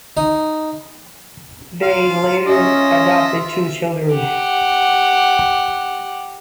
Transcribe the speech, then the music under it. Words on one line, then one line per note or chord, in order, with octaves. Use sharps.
They later adopted two children.
D#4
F4 F5
C#4 D#5 E5
G4 F#5